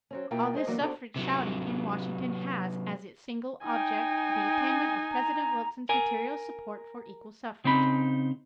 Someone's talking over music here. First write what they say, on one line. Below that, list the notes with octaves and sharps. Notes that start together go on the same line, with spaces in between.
All this suffrage shouting in Washington has as its single object the attainment of President Wilson's material support for equal suffrage . . . .
F#3 C4 C#4
B2 A#3 E4 F4 A#4 G5
G#3 G#4 C5 D#5
E3 F#3 A#3 B3 D4 F#4
B3 D4 F#4 G4 A4 C5
C3 F#3
D#4 G5 G#5
A#5
A#4 G#5
C#3 C4 D#4 B5